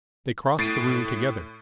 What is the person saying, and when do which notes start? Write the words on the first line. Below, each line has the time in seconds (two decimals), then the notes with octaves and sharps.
They crossed the room together.
0.59 A2 A6 C7 D7 D#7